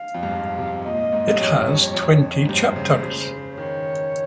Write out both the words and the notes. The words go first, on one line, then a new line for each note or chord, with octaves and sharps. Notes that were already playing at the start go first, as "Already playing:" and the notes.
It has twenty chapters.
Already playing: F5
F2
G2
G#2
C3
A#2 D#5
G#2
G2
F2 C#5
G2
F2
G#2
G2 C5
G2
C#3
G2
C#3
D#3 C#5